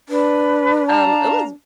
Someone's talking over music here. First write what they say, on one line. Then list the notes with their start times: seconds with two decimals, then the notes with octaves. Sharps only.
Um, it was
0.09 D4 B4
0.87 F5 A5 A#5